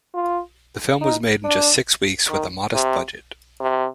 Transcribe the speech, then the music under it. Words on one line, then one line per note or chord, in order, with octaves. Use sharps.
The film was made in just six weeks with a modest budget.
F4
D#4
D4
D#3
C3
C3